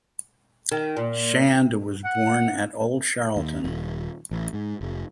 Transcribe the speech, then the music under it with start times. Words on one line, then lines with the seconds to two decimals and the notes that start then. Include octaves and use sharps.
Shand was born at Old Charlton.
0.71 D#3
0.97 A#2
2.05 F#5
3.36 D#2
3.64 D#1
4.31 A1
4.53 G#2
4.81 F1